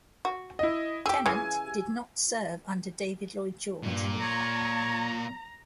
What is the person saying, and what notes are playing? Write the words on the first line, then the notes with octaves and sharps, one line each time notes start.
Tennant did not serve under David Lloyd George.
F#4
E4 D#5
G4 G#4 G5 E6
C#3 E3 G#5 G#6
G2 A#2
C#5 A#5